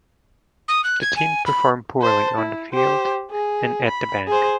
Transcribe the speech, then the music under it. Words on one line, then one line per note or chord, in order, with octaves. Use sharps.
The team performed poorly on the field and at the bank.
D#6
F#6
G#6
G#5
B5
C5 A5
E4
G4 C5
G#4
B5
G#4 C5